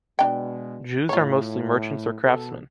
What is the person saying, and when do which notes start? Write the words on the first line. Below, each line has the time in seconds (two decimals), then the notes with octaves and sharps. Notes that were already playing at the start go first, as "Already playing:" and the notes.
Jews are mostly merchants or craftsmen.
0.19 B2 G#3 D4 G5
1.09 A2 F4 C#5
2.22 B2 A4